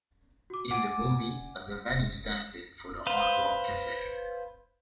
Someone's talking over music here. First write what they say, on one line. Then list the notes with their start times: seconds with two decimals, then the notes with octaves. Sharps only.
In the movie, the venue stands-in for the Hard Rock Café.
0.50 F#4 D6
0.71 D5 F#5 G#5 D6 D#7
3.07 B4 C5 F5